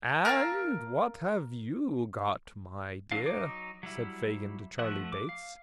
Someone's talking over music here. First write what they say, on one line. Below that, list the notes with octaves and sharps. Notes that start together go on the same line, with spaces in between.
'And what have you got, my dear?' said Fagin to Charley Bates.
A#4 F5 A5 E6
E3 F#3 D4 F5
F#3 D#4 D6
F#3 G3 E4
F3 A3 E5 F#5
D6
F5